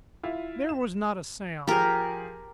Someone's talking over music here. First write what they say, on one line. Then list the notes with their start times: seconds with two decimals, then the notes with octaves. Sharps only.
There was not a sound.
0.23 E4 F4
0.69 E7
1.67 F3 G4 G#4 A#4